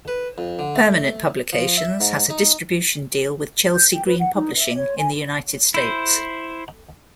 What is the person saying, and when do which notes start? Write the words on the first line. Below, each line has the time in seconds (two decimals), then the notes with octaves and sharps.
Permanent Publications has a distribution deal with Chelsea Green Publishing in the United States.
0.08 B4
0.38 F2
0.59 D3
0.75 A3
1.53 F3
1.77 E5
2.01 G#2
2.30 D#4
3.72 G6
3.91 G5
4.05 B4
4.19 F#5
4.33 D#4
4.56 E5
4.75 C#5
4.98 G#5
5.74 E4 C5